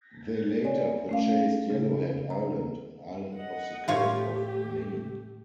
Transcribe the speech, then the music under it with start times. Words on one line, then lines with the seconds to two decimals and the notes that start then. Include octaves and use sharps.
They later purchased Yellowhead Island, an island off the coast of Maine.
0.64 C#5 D5 G#5
1.09 A3 C#4 F5
1.70 C#3
2.30 A#5
3.34 D#5 F#5
3.88 A2 A3 F4 G4 C#5